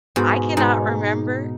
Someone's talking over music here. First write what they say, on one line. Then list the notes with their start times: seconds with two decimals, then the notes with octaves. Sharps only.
I cannot remember.
0.16 G#2 B2
0.57 G#2 D#4